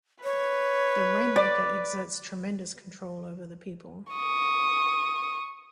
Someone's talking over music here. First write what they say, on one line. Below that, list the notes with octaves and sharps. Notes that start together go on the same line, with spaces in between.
The rain-maker exerts tremendous control over the people.
B4 C#5
D5
C#6 D#6